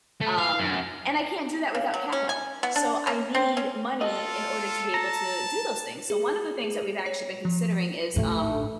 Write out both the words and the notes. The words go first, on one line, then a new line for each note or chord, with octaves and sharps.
um, and I can't do that without capital, so I need money in order to be able to do those things. So one of the things that we've actually been considering is, um
A3
F5
F#2
C#3
F#3
C#4
G#5
B3
D4
C#4
C4
C#4
F4 F#4 A4 D#5
A5 A#5
G#4
G#4
C#5
F3
A1 A2 A3